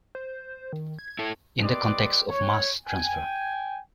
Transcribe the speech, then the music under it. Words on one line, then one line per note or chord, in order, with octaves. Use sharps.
In the context of mass transfer.
C5
D#3
G#6
E4 A4
G4 B4 D5 D#5 C6 D6
C#5
G5 G#5